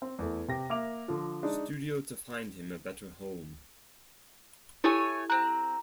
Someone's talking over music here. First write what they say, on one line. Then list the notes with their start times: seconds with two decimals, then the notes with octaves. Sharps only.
Studio to find him a better home.
0.02 C4
0.19 E2 A3
0.48 C3 G4 A#6
0.70 A#3 E5 D6 F7
1.08 D3 F3
1.43 G#3 D4 D#4
4.84 A3 E4 G4 A4 C#5 G#5
5.30 C4 A#5 F#6